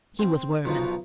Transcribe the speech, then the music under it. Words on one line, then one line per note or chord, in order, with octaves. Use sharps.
He was wermin!
C4
B1 B2 F3 D#4 B4 D#6